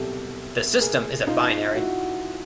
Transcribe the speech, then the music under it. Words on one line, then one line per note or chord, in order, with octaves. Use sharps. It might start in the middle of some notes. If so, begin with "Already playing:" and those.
The system is a binary.
Already playing: C2 B2 F#3 G4 A4
G#4 A#4
D#4 F4
E4 F#4